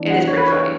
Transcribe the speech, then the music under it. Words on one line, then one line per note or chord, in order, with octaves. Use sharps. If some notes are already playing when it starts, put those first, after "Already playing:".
It is pretty funny.
Already playing: E3 B3 D4
F#5
C#5
B4
C#5